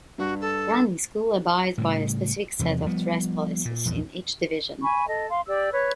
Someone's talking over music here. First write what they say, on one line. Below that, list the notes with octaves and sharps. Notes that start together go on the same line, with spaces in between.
Ranney School abides by a specific set of dress policies in each division.
G2 F#4
A4
A2 C#3 G3
E2 C3 F3 F#3
F3 G3 B3
A#2
A#1 E2
G#5 B5 C#6
A4 D#5
F5 C6
G4 D5 E6
B4 C#5